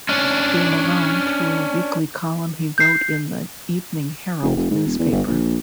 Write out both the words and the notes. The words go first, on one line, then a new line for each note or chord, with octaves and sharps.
B. Malone through a weekly column he wrote in the "Evening Herald" newspaper.
C#4 D4
G6 C7
F1
F1
G#2
E1
E2
G1
A#1